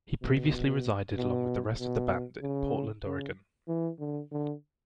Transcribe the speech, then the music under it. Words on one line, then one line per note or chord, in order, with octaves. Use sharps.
He previously resided along with the rest of the band in Portland, Oregon.
B2
B2
B2
C#3
C#3
E3
D3
D3